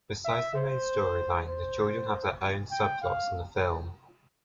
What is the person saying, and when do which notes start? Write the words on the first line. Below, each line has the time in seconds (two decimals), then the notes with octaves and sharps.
Besides the main storyline, the children have their own subplots in the film.
0.25 E5
0.55 C5
1.47 C5
2.71 G5
3.02 F5